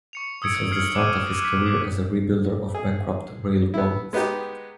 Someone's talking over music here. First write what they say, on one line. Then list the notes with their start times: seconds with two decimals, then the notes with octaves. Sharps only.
This was the start of his career as a rebuilder of bankrupt railroads.
0.13 C#6 C#7 F7
0.42 D#6 E6 G#6 C#7 D7
0.71 E6 F6 G#6 C7 F#7
0.95 D6 F#6 C#7 D#7
1.41 F#6 B6
1.66 D6
2.75 G#4
3.74 B3 E4
4.13 G#3 B3 D#4 G4